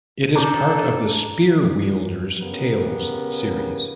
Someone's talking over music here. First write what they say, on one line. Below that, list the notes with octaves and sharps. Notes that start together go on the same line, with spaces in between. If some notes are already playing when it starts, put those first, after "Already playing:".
It is part of the Spearwielder's Tales series.
D4 A4 A#5 D6 G6
C#3 B3 G4 A#4